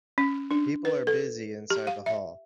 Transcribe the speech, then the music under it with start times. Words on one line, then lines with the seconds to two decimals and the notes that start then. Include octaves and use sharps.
People are busy inside the hall.
0.18 C#4
0.51 D4
0.85 B4
1.07 A4
1.70 G4
1.87 F5
2.06 E5